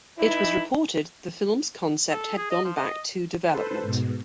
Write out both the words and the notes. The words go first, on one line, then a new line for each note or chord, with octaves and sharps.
It was reported the film's concept has gone back to development.
E3 D#4 E4
A4
G#4
D#5
F3
D#5
A4 B4 C5
G#2 B2